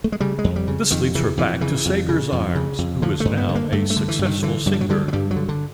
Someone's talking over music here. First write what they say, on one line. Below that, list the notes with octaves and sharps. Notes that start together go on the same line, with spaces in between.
This leads her back to Sagar's arms, who is now a successful singer.
A3
G#3
C#3 G3
G#3
F2
G3
C#3
F2 D#3
C#3 E3
F2 E3
C#3 E3
F2
C#3
F2
C#3
F2
D3 F3
G2 A3
B3
D3
A#3
G2 A3
A3
D3
E3
G2
D#3
D3 E3
G2 F#3
G3
F#3
D3 G3
F#3
G2 G3
F#3
D3
D3